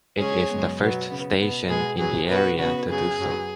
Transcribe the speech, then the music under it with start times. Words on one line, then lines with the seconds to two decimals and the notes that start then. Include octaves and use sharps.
It is the first station in the area to do so.
0.19 C#3 G#3 C#4 G#4 C#5
0.49 F#2 C#3 G#3 B3
0.78 B2 F#3 B3
1.09 C#3 B3
1.39 B2 B3
1.68 B2 G#3 B3 G#4
1.98 F#2 F#3 B3 G#4
2.29 B2 B3 F#4 B4
2.58 C#3 B3 F#4 B4
2.87 F#2 C#3 F#3 G#4
3.18 F#2 F#3 B3